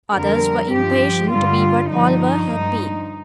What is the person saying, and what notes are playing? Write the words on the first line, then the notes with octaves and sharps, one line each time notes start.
Others were impatient to be what Oliver had been.
F2 D3 G3 A#4
G2 F3 G4
G2 D3 G3 F4
G2 D3 F3 D#4
G2 F3